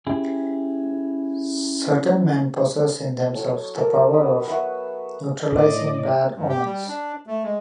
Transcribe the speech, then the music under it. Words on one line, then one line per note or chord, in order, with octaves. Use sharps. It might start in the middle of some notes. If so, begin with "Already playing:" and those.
Certain men possess in themselves the power of neutralizing bad omens.
C#4 E4 G4 G#4
F#3 A4 C#5
A4 A#4 A5
B3 B5 D#6
B4 E5 F#5 C#6
A2 D5 D#5
G2
G4
G3
D4
A3
G#3